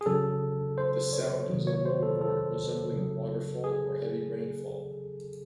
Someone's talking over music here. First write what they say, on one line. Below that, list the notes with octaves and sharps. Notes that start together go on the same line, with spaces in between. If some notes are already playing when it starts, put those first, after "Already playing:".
The sound is a low roar resembling a waterfall or heavy rainfall.
G#4
C#3 F#3 A4
C5
C#5
C3 D#3 F#3
C#5
C5
A4
A4
C#3 F#3
G#4